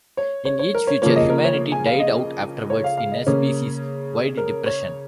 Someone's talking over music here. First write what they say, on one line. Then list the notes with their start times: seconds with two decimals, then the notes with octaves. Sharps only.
In each future humanity died out afterwards, in a species-wide depression.
0.17 C#5
0.45 C#5
0.59 C#5
0.75 A#4
0.87 C#5
1.02 C#3 F3 A#3 C#5
1.16 D#5
1.30 A#4
1.45 C#5
1.72 G#5
1.86 F5
2.00 D#5
2.70 C#5
2.84 F5
2.97 F5
3.12 D#5
3.27 C#3 A#3 C#4
4.37 A#4
4.66 C#5